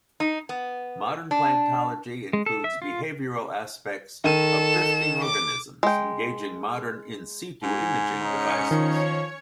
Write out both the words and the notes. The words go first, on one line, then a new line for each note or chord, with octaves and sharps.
Modern planktology includes behavioral aspects of drifting organisms, engaging modern "in situ" imaging devices.
D#4
B3
D4
G#3
A4
E5
F4
D#3 A4 D#7 E7
D6
G#3 G5
G#2 G#5
C#4 D#4 C#7
D#3 F3 C#5